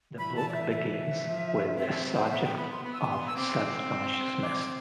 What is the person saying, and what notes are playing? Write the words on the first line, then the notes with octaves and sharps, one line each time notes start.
The book begins with the subject of self-consciousness.
E3 B5
A5
D5
E5
E5
F3
C4 E5
C5
F5
B3 E5
G5
B5
C6
B3 B5
E6
D6
C6
E6
C4 D6
D6